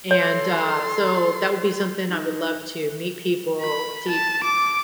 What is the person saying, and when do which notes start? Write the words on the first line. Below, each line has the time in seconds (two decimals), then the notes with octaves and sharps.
and, uh, so that would be something I would love to meet people, to
0.11 A4 C#5 C6
2.10 D#4
3.61 B5
4.08 A5
4.44 D6